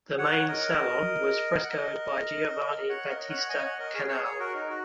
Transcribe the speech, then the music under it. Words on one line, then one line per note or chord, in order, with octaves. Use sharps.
The main salon was frescoed by Giovanni Battista Canal.
C#5 F#5
A#4 D#5
F#5
A#4 D#5
C#5 F#5
A#4 D#5
D#5
C#5 F#5
D#5 G#5
C#5 F#5
A#4 D#5
G#4 C#5
G#4 C#5
G#4 C#5
F#4 A#4
D#4
F#4